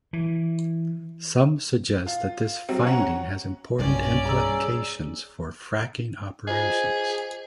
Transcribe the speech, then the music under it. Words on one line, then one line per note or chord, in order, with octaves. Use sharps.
Some suggest that this finding has important implications for fracking operations.
E3
F4
F#3 G3 C4
C#4 C#5 F#5 A#5
B1 G2 C#4 D5
G#4 A#5 E6
F4 G#4 C5 D#5